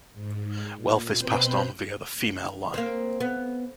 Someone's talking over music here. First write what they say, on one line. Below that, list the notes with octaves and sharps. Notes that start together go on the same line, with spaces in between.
Wealth is passed on via the female line.
G#2
A#2
B2 C4 B4 C5 B5 G6
A#3 C4
B3